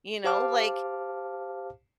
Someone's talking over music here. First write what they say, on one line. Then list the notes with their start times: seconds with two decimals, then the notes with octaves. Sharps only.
you know, like,
0.24 G4 C5 F5 A5 D6 F6